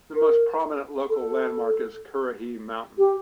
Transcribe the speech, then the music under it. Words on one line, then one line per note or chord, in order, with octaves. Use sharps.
The most prominent local landmark is Currahee Mountain.
A#4
A4
G4